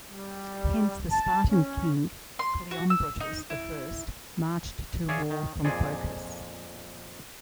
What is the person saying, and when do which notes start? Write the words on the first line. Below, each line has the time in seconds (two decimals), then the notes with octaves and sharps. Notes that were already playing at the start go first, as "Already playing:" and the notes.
Hence, the Spartan king, Cleombrotus the First, marched to war from Phocis.
0.11 G3
1.11 A5
1.50 C#4
2.39 C6
2.71 F#4
2.90 E6
3.20 D#4
3.50 E4
5.09 G#4 C#5 D5 E5 F5
5.30 D#3
5.65 F2 A#2 G#4 D5